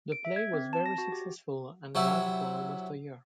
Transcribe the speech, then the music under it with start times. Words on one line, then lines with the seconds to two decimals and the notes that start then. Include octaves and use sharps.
The play was very successful and ran for almost a year.
0.12 D7
0.25 E5
0.36 G#6
0.53 C4
0.73 A5
0.86 A#6
0.98 F#4
1.12 G4
1.95 C3 F#3 E4